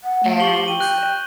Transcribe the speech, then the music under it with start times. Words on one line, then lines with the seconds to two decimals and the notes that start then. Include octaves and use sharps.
and eh,
0.04 F#5
0.23 A3
0.40 G4 C#6 F#7 G7
0.68 G5 D#7
0.80 F#6 G6